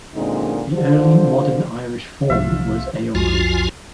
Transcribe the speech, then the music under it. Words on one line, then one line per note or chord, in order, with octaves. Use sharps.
The Early Modern Irish form was Aonghus.
F#2 A#2 D3 G#3 C4 D#4
D3 F4 C5
C2 C3 F3 F4 E5
B1 F2 F3 F4 F#4 G#5